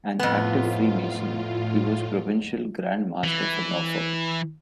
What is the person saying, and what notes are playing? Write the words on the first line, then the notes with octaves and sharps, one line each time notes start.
An active Freemason, he was Provincial Grand Master for Norfolk.
F2 A2 B3 F4
E3